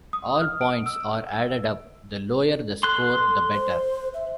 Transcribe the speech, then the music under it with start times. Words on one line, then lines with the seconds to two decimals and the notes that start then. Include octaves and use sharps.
All points are added up; the lower the score the better.
0.13 D#6
0.41 F6
0.61 D7
0.86 E6
2.83 A4 C6 F#6
3.53 C5
4.14 E5